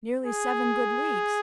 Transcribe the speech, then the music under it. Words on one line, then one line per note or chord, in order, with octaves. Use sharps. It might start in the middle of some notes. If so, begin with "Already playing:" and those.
"Nearly seven good leagues."
G#4